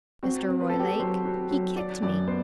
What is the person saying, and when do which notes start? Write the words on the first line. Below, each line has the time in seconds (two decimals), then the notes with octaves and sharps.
Mr. Roylake, he kicked me.
0.23 C4 F#4
0.49 C4
0.61 B4
0.69 A4
0.74 C4
0.79 G4
0.88 A4
1.00 F#3 C5
1.25 F#4
1.51 F#3
1.76 F#4 D5
2.02 F#2 D5
2.27 B3 C5